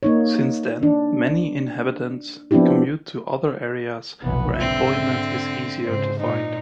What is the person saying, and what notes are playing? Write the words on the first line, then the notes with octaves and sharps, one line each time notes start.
Since then, many inhabitants commute to other areas where employment is easier to find.
A#3 D#4 C#5
D4
F3 B3 C4 D4 E4 G4
F1 B1 E3 B3
G#2 D3 C4 E5
G#2 C#3 C5
A#2 D#4